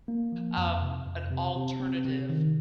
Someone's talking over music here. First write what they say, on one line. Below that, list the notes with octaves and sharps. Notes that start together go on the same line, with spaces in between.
um, an alternative
A#3
F3
F2
C3
F2
C3
C3
C4
C3
D#3